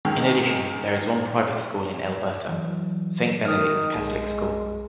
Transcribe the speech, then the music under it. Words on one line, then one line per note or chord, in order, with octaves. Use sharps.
In addition, there is one private school in Elberta; Saint Benedict's Catholic School.
C#2 D#3 G#4
E3 F#3
D#3 D#6 F6
B1 G#3